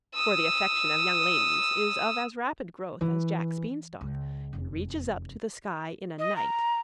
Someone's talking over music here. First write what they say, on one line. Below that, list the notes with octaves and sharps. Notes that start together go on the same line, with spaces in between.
For the affection of young ladies is of as rapid growth as Jack's bean-stalk, and reaches up to the sky in a night.
D#6 E6
E3
C#2
F1 E2
D#5
A#5